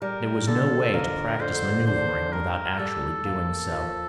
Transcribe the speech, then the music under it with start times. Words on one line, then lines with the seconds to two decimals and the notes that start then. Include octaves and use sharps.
There was no way to practice maneuvering without actually doing so.
0.02 G3 A#4
0.47 D3 A4
0.94 F2 A#4
1.40 D3 C5
1.86 D4 C5
2.33 G3 A#4
2.79 G3 A4
3.25 A#3
3.71 F3